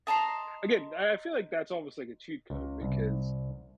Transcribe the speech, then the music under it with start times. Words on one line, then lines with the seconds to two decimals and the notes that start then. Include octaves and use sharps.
Again, I I feel like that's almost like a cheat code because
0.07 D#5 A5 A#5 C6
2.50 C#2
2.82 C2